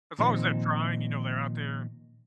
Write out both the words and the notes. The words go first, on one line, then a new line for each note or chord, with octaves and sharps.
As long as they're trying, you know, they're out there
A#2 D#3 F3 C4 D#4